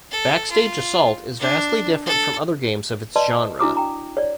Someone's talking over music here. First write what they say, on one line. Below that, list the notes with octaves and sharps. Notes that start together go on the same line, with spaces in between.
"Backstage Assault" is vastly different from other games of its genre.
A4
F4
D4
A4
B4 D5 D#5 A5 C6
D4 E4 F#4 A#5 D6 D#6
G5 A#5
C#5 D5